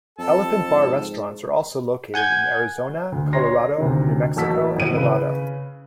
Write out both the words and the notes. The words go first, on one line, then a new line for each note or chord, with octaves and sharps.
Elephant Bar Restaurants are also located in Arizona, Colorado, New Mexico, and Nevada.
F2 A4 A5
G#2
F#5 G#5 G6 G#6
D2
C#5 C6 A#6
D2 C3 D#3
A1 A#3 F#4 A5 E6 B6
G#1 F2 A2 D#7
C#3 B4